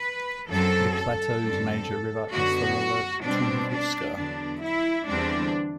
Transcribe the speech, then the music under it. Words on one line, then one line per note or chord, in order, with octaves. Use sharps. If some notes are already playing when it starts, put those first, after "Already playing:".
The plateau's major river is the Lower Tunguska.
Already playing: B4
F#2 F#3 C4 A4
A4
F#2 D3 G3 C4
F#2 D3 F#3 B3 F#4
B2 G3 C4 D4
D4
E2 D3 F#3 B3 D4
E4
E2 D3 G3 C4 D4